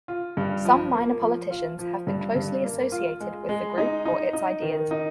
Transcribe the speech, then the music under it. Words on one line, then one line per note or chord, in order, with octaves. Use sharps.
Some minor politicians have been closely associated with the group or its ideas.
F4
G2
F3
A#3
F3
F4
F3
G2
G2
A#3
F4
G#3
G#3
D#4
D#4
D#4
D#3
D#4